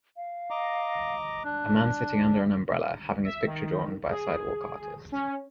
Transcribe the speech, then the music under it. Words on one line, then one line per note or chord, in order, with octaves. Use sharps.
A man sitting under an umbrella, having his picture drawn by a sidewalk artist.
F5
D#5 A#5 D6
D4 F#6
E5
D#3
G#4
C#4